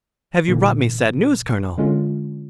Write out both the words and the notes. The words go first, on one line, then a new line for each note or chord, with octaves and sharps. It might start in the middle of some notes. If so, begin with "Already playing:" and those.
"Have you brought me sad news, Colonel?"
A#2 D3 E3 A#3
D3 G#3 C#4 F4